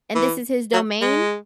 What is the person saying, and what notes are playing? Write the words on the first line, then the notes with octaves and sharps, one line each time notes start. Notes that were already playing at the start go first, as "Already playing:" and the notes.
and this is his domain?
E3
F#3
G#3